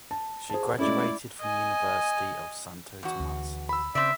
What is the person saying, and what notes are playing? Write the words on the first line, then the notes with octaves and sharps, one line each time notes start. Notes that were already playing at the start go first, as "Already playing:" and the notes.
She graduated from University of Santo Tomas.
A5
G#4 C5 A5
G#3 A3 C#4 E4 D5
D#5 G#5
E2 F#4
D2
B5 E6
C#3 C4 D5 E5